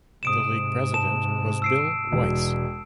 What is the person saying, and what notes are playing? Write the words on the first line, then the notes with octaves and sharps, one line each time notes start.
The league president was Bill Weiss.
G#2 C3 D#6 D7 E7
A5 E7
E6 C7 D7
E1